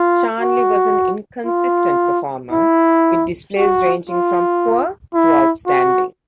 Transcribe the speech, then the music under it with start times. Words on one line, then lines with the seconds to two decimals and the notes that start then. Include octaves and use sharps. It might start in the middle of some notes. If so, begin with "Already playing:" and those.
Charnley was an inconsistent performer with displays ranging from poor to outstanding.
Already playing: F4
0.40 F#4
1.46 F4
2.51 E4
3.56 F#4
4.09 F4
5.14 E4
5.67 F#4